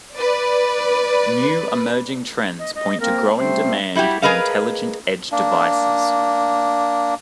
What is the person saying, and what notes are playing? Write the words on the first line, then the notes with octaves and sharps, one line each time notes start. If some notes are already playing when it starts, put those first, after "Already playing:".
New emerging trends point to growing demand in intelligent edge devices.
B4 D5
D#5
D#5
A#3 C4 A#4
G3 A3 C4 C5
G3 E4 F#4 G4
G#4 A#4 B4 D#5 F5
A#3 D4